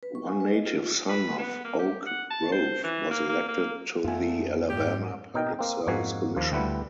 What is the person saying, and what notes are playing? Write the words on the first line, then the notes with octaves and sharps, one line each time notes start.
One native son of Oak Grove was elected to the Alabama Public Service Commission.
B4
C#6
G#5
B4
D#5
F4
B4
B3
A#3
G4
F#5
A5
C5
E3
A#3
A#3
A#3
F2 A3 B3 F4 G#5
G#2 G4
B2 D#4 A#4 G5
A#3 C4
F2 G#2 A#3 F#4 G#5
D#2 F3
D2 G3 E4 B4 F#5